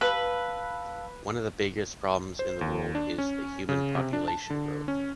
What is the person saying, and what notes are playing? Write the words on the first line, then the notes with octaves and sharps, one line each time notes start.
One of the biggest problems in the world is the human population growth.
B4 F5 A5 E6
C5
D#2
D4
C#4
C#3
C3
D4
A5
D3
C#4